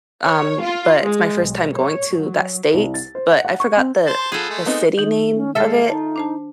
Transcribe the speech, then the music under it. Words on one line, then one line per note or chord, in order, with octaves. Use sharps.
um, but it's my first time going to that state, but I forgot the the city name of it.
C#5
F4
G#3
B1
C#5
F#3
C2
A6
C5
F#5
F#5
C#6
C4
C5 A5 C6
F3 B3 G#4 A4
G#3 A3
B3 C4 D#4
D#3 D#4
C#4
G#3 F4 A4 E5
D#4 A5
D4 C5 A5